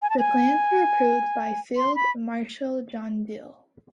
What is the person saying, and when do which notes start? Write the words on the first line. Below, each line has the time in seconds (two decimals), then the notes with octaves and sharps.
The plans were approved by Field Marshal John Dill.
0.02 G#5
0.10 A5
0.18 G#5
1.77 C6
1.95 B5